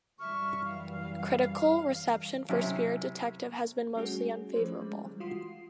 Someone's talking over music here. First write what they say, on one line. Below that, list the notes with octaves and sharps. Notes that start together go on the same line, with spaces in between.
Critical reception for "Spirit Detective" has been mostly unfavorable.
F#2 E3 G3 E5 C#6 F6
F5
C3 F#3 C#4 E4
G3 A3 C#4 F#4 G#4
F3 A3 C#4 C5
G#3
E3 G3
F4 F#4 C6 D#6 C7